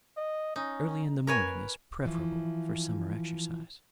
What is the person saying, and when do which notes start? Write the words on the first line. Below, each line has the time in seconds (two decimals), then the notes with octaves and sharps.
Early in the morning is preferable for summer exercise.
0.17 D#5
0.56 C#4 D#4
1.27 A#4 B4 C#5 G#5
2.05 E3 F3